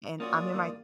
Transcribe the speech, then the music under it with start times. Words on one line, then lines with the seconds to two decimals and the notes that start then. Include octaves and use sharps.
and I'm in my
0.20 A#3 C#4 F4 F#4 D5 D#6
0.53 G2 D#3 A#3